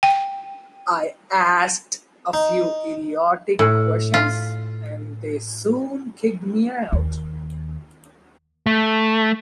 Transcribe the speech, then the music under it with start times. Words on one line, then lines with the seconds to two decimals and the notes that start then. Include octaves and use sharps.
I asked a few idiotic questions, and they soon kicked me out.
0.03 G5
2.33 D#4
3.59 A2
4.14 F4
6.92 D#2
8.66 A3